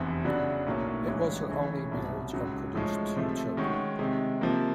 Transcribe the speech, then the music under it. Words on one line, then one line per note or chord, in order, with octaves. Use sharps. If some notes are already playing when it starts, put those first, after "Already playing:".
It was her only marriage, and produced two children.
Already playing: F1 E2 C3 E3
C#3 F#3 B3 D4
B1 A2 F#3 A#3 C#4
A1 G2 E3 G#3 C#4
D#2 C#3 E3 A3 C#4
C2 B2 F#3
C#2 C#3 F#3
A2 F3 G#3 C#4
C3 F3 A3
D#3 G#3 C#4 F#4
C3 D#3 G#3
C3 F3 A#3